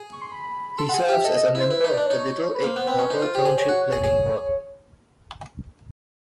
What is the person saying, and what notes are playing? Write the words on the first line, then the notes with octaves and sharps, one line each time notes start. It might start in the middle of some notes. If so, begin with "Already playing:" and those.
He serves as a member of the Little Egg Harbor Township Planning Board.
Already playing: G#4
C#6
C6
B5
A4 C6
G#4 F#5
F5
G4 E5
A4 D#5
D#5
E4 C5
E4 B4
D#4 B4
D4 D5
D#4 C#5
B4
A#3 C5
B3
C4 B4
C#4
D#4 C5
F4
G4
G#4
G#4 C#5
F#4
G#4
G#4